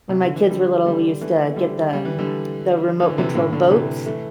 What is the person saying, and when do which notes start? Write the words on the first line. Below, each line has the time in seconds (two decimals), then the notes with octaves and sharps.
When my kids were little, we used to get the the remote control boats,
0.09 C3
0.23 D3
0.36 E3
0.50 D3 G3
0.85 D3 G3
1.21 E3 A3
1.51 A3
1.56 D3 G3
1.93 G3
2.05 E3
2.19 D3 G3
3.00 E3
3.09 D3
3.18 C3 E3
3.34 A2 D3
3.53 A2 D3
3.70 C3 E3
4.06 E3 A3